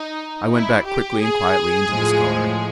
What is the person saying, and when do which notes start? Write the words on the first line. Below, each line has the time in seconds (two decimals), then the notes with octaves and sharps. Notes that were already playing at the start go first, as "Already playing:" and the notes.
I went back quickly and quietly into the scullery.
Already playing: D#4
0.52 E4
0.86 G4
1.21 G#4
1.88 A2 F3 G#3